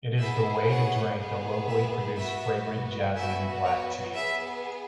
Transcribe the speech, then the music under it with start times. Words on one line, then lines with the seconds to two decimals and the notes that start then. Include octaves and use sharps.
It is the way to drink the locally produced fragrant jasmine black tea.
0.19 B3 E4 G#4 E5
0.68 C#5 F#5
1.18 B3 G#4
1.67 E5
2.16 B3 F#4 E5
3.15 B3 F#4 E5 G#5
3.64 C#5
4.14 B3 G#4 E5